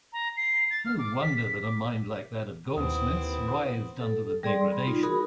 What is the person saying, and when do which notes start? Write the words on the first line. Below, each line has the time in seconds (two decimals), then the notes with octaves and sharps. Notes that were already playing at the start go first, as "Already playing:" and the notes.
No wonder that a mind like that of Goldsmith's writhed under the degradation!
0.13 A#5
0.37 C7
0.70 A6
0.86 F6
0.98 D6
1.22 B6
1.37 B6
1.62 D6
2.77 D#2 B3 C4 E4 D#6
4.00 A4
4.43 G3 G#4 D5 C6
4.72 B5
4.87 D#4 F4
5.03 F#4 G#4 A#4 B5 D#6